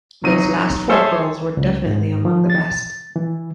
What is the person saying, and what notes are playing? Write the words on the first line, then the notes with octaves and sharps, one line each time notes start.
Those last four girls were definitely among the best.
C3 F#3 D#4 D#7
G#4 A4 C5 C#5 E5 G#5
C#2
G#2
F3
A6
E3